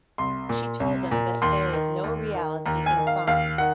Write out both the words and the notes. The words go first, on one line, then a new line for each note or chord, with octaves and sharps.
She told them that there is no reality in signs.
C2 C6
A#2
C2
A#2
D#2 C6
D#3
D#2
D#3
D#2 A#5
G#5
D#3
F5
D#2 F5
D#3 F#5